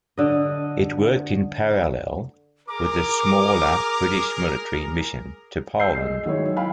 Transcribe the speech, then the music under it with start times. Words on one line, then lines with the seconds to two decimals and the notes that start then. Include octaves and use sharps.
It worked in parallel with the smaller British Military Mission to Poland.
0.18 D3 D#5
2.68 G#4 A#4 D6
5.80 E6 G6 C7
5.97 G#3 D#5
6.26 D#3 F#3 G#3 E4 C#5
6.57 F5 G5 B5